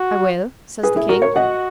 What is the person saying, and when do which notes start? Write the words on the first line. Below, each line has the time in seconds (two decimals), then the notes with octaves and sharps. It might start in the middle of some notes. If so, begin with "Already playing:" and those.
"I will," says the king.
Already playing: F#4
0.83 G#4 B4
0.96 E4 G#4
1.09 F#4 A#4
1.22 A#4 C#5
1.35 F#4 D#5 F#5